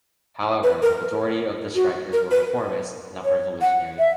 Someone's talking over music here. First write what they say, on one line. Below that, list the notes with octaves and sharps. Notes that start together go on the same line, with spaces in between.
However, the majority of the strikers were reformist, not revolutionary.
B4
A#4
F#4
A#4
B4
C#5
F#5
E5